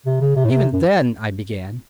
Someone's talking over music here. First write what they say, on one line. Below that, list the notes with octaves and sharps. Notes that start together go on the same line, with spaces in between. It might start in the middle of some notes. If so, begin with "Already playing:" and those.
"Even then--" I began.
C3
C#3
C3
A2
C3
F#2